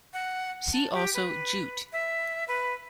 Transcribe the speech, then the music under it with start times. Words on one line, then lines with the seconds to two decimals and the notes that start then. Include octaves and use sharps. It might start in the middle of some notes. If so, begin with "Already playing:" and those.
See also Jute.
0.13 F#5
0.72 A5
0.94 G4
1.14 B4
1.93 E5
2.48 B4